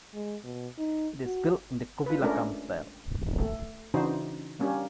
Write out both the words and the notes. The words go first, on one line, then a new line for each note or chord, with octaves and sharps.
It is built in the kovilakam style.
G#3
B2
D#4
F#4
F4 B4
G#3 A3 C#4 D4 A#4
A3
C#3 E3 D4 D#4 F#4 C5
G3 A#3 C#4 D4 G4